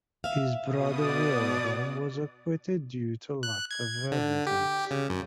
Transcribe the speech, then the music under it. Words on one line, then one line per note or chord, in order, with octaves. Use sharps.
His brother Wilhelm was acquitted due to lack of evidence.
E5 F5
B2 D#6
D5
F#6
G#6
D3
G4
C#3
F#2